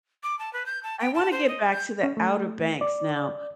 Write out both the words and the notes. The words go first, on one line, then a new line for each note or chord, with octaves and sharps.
I wanna get back to the Outer Banks now,
D6
A5
B4
G6
A5
G5
A5
C5
D#5
G6
C#4
A3
D5